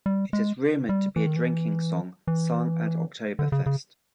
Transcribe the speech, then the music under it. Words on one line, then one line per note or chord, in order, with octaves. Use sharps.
It is rumored to be a drinking song sung at Oktoberfest.
G3
G#3
G3
E3
D#3
E3
E3
D3
C#3
C#3